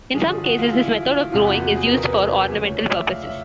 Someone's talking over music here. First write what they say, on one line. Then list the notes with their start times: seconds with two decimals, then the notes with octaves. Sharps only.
In some cases, this method of growing is used for ornamental purposes.
0.14 G2 D3 F3 G#4
0.29 G#4
0.43 F#4
0.58 F4
0.73 E4
1.03 F4
1.32 E2 C3 F3 F4
1.46 F#4
1.62 F#4
1.76 G#4
1.86 B4
1.91 A#4
2.06 B4
2.50 D2 C#3 F3
2.65 C#5
2.79 D5
2.94 E5
3.08 F5
3.23 E5